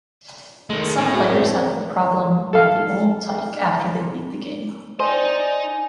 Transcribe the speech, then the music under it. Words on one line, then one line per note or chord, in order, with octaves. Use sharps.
Some players have the problem with the old tyke after they beat the game.
D#3 G#3 A3
A2
F#4 G#4
G#3 C4
A4 F5
D#4 C5 D5 D#5 G#5